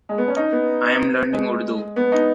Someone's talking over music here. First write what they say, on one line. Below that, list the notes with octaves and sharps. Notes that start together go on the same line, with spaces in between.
I am learning Urdu.
G#3
B3
C#4
D#4
B3
G#3
B3
D#4